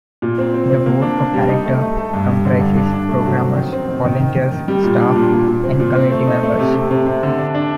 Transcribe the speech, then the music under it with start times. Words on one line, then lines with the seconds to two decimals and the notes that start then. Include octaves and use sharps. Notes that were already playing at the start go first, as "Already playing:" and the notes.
The Board of Directors comprises programmers, volunteers, staff, and community members.
0.22 A#2
0.38 C4
0.54 C4
0.70 C4
0.86 A#3
1.02 D4
1.18 A#3
1.34 G3
1.49 D#4
1.65 A3
1.81 A3
1.97 A4
2.13 G2
2.29 G3
2.45 D3
2.61 G2
2.77 D4
2.93 D4
3.09 A3
3.25 F#3
3.41 C4
3.56 D#3
3.73 C4
3.89 D#3
4.05 D#3
4.20 D#3
4.36 D#3
4.52 D#3
4.68 G3
4.84 A#2
5.00 D4
5.16 A#2
5.32 A#2
5.48 A#2
5.64 C4
5.80 A#2
5.95 C4
6.11 A3
6.27 D#4
6.43 A3
6.59 C3
6.75 C3
6.91 C3
7.07 C3
7.23 D3
7.38 D4
7.55 D4